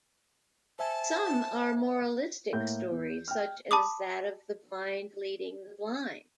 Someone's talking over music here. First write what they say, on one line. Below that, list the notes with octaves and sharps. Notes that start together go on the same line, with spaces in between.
Some are moralistic stories such as that of the "blind leading the blind".
C5 E5 G#5 A5
A2 A#3 G6
E2
G5 F6
A5 B5 D6 D#6